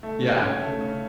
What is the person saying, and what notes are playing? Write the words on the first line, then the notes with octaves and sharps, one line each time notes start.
Yeah, it's
A3
C#4
C#4
A3
C#3